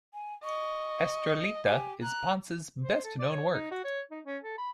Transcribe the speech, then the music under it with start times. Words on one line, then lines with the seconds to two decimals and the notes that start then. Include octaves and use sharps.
"Estrellita" is Ponce's best known work.
0.13 G#5
0.44 D#5 C#6
1.67 G4 G#5
2.02 A#5 F#6
2.82 C5
3.04 A4
3.19 D5
3.31 C#5
3.52 D#4
3.71 F#4
3.84 C#5
4.11 D#4
4.25 C#4
4.43 A4
4.58 B5